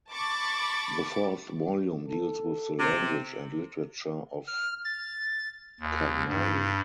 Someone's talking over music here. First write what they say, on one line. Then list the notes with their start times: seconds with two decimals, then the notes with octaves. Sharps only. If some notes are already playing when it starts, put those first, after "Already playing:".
The fourth volume deals with the language and literature of Karnali.
0.11 A5 B5 C#6 D6 A6
2.08 A4
2.79 C3
4.47 F6
4.84 A6
5.80 D#2
6.28 G2